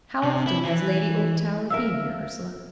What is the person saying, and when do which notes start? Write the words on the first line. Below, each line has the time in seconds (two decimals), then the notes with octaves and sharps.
"How often has Lady Oldtower been here, Ursula?"
0.24 C3
0.47 E4
0.65 E3
1.70 A#4 E5 F5 E6